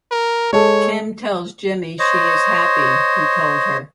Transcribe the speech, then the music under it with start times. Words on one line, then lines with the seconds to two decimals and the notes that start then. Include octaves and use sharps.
Kim tells Jimmy she is happy he told her.
0.11 A#4
0.53 G#3 A4 C#5
1.99 C5 C#5 D#5